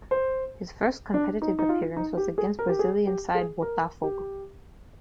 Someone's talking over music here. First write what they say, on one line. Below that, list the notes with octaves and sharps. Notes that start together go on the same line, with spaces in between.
His first competitive appearance was against Brazilian side Botafogo.
C5
D4
D#4
D#4
F4
D#4
G4
G#4
A#4
G4
G#4
G4
G#4
A#4
G4